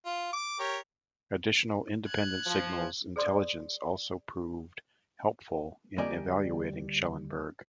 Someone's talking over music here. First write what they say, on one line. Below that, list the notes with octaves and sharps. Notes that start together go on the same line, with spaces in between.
Additional independent signals intelligence also proved helpful in evaluating Schellenberg.
F4
D6
G4 A#4 C#5
F#6 G#6
F3
G#4 C5 D5 C6 D#6
D2 G3 A#3 D5 D#5 G#5